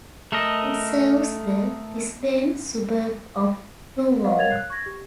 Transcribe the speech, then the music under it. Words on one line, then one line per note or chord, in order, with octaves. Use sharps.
It serves the Brisbane suburb of Toowong.
A3 A4 A#4 D#5
B4 D#5 F5 F#5
A#4 C#5 F5 G#6 A6 F7
F#6 C7
C#6 G#6 A#6
G4